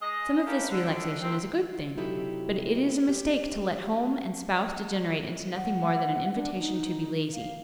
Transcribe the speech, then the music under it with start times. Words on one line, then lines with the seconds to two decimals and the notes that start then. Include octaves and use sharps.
Some of this relaxation is a good thing, but it is a mistake to let home and spouse degenerate into nothing more than an invitation to be lazy.
0.02 G#3 D#5
0.46 A#3 C#4 G4 A4 B4
0.68 D3
1.20 D#2 C4
1.97 C3 F#3 D#4 E4 G4 A4
3.09 G4
5.54 F#5
6.35 D4
6.58 D#4
7.33 F5